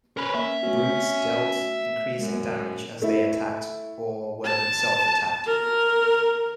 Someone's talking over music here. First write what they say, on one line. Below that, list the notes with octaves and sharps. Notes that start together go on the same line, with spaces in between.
Brutes dealt increasing damage as they attacked or were themselves attacked.
C#4 A#4 B4
A#3 E5
A3 B3 C#4 F#4
F#2 G#3
A3 E4
A5
A#4